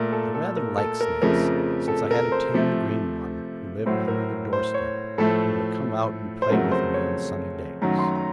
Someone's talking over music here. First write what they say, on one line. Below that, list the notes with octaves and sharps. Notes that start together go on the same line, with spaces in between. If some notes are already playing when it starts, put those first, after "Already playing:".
I rather like snakes, since I had a tame green one, who lived under the door-step, and would come out and play with me on sunny days.
Already playing: A#2 A3 A#4
A4
A4
A#4
A4
A#4
F2 C#3 F3 A3 A#4
A4
A#4
C5
C3 F3 A3
A2 F#3 A3 C5
A#4
C5
C#5
A2 F3 A3 A4
C5
F2 C#3 F#3 A3 A#4
C5
C#5
F#2 D#3 F#3 A3 A#5
C6
A#5
A#5